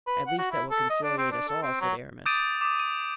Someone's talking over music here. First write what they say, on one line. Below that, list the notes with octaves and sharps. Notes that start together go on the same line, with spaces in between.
"At least that will conciliate us all," said Aramis.
B4
F#5
F#4
E4
A4
D#5
D4
C4
D4
A4
C4
F#3
D6 D#6 G6 A6 D7 D#7
D6 D#6
D#7